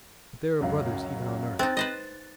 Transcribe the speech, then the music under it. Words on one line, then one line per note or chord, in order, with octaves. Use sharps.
But there are brothers even on earth....
C#2 F#2 F5
C4 D#4 F#6 A6
B4 C5 D#5